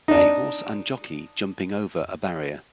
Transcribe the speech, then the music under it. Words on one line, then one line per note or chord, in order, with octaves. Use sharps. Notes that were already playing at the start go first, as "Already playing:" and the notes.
A horse and jockey jumping over a barrier.
D4 D#4